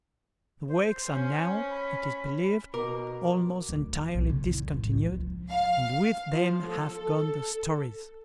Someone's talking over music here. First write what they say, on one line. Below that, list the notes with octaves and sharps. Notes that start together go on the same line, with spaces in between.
The wakes are now, it is believed, almost entirely discontinued, and with them have gone the stories.
C5
C#4
B5
B2 A#4 D6
D2
F3
B1
C#3
E2
A1
C#2
F3
F5
F3
A4